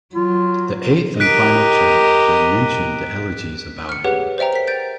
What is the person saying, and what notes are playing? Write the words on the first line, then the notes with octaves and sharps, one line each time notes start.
The eighth and final chapter mentioned the elegies about him.
F#3 F4
G4 A#4 D#5 F#6 B6 D7
F6 C#7
G4 G#4 B4 C#5 F#5
C5 D5 E5 G5 A#5
A#4 B6
G6 A6 D7